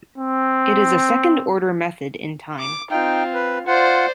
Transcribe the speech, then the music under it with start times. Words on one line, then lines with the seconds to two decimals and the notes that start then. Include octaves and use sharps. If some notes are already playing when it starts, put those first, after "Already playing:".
It is a second-order method in time.
0.18 C4
2.59 D6
2.91 C4 D#4 F4 G5
3.34 B4
3.67 F4 C5 D5 F#5